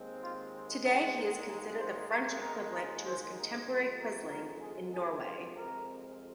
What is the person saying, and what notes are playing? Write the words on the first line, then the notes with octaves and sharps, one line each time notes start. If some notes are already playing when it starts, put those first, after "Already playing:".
Today, he is considered the French equivalent to his contemporary Quisling in Norway.
Already playing: D#2 D#3 G#3 C4
F4
C4
D#4
D#4
D#4
C5
A#4
A#4
A#4
C5
A#4
F2 C3 G#3 C4 C5
A#4
A#4
G#4
G#4
F4
A#4